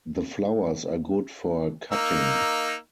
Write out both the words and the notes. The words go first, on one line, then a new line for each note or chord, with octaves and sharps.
The flowers are good for cutting.
A#3 D#4 E6